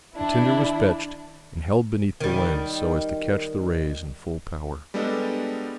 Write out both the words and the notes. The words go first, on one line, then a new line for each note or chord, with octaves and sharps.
The tinder was fetched, and held beneath the lens so as to catch the rays in full power.
D#3 D4 E4
D#3 G3
G3 G#3 B3 D4 A4 D#5